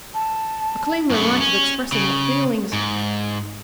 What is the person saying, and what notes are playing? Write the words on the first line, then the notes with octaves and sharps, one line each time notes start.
I claim the right of expressing my feelings.'
A5
F#2 B3
C#4
C#3
G#2